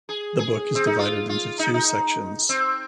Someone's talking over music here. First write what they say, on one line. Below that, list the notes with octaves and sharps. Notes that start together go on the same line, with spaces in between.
The book is divided into two sections.
G#4
G#4
C4
D#4
F4
F4
D#4
D#4
C4